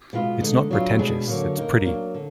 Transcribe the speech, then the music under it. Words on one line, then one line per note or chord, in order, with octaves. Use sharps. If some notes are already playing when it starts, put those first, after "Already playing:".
It's not pretentious, it's pretty.
B2 G#3 B3 F4
D3 G#3 D#4
F#3 B3 D4 F4
B2 G#3 D4 G#4
D3 F#3 A#3
A#3 D#4 A#4
F#3 A#3 D4
D3